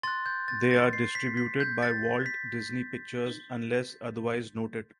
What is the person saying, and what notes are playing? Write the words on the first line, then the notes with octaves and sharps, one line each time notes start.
They are distributed by Walt Disney Pictures unless otherwise noted.
C6 F#6 A6
G6
A6
A6
C7
B6
B6
G6
A6
B6